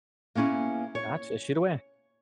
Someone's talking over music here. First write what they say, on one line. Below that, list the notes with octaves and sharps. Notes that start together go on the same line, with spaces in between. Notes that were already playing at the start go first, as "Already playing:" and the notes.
Gotcha, shoot away.
A#3 B3 C#4 E4 G#4
C#5